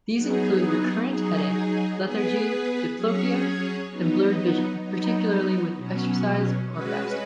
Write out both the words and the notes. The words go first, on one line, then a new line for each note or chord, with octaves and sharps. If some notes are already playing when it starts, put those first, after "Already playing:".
These include recurrent headache, lethargy, diplopia, and blurred vision, particularly with exercise or fasting.
F#3 B3 D#4 G#4
F#3 D#4 G#4
B3 G#4 B4
F#3 C#4 G#4 C#5
F#3 B3 D#4
F#3 B3 D#4
B2 F#3 C#4
G#3 C#4 F#4 B4